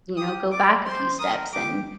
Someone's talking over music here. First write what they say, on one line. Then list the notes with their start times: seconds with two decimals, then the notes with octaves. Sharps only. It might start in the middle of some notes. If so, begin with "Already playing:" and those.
you know, go back a few steps, and
0.17 G4 D#6
0.51 D5 D6
0.85 C5 C6
1.19 A#4 D#6
1.53 G4 D6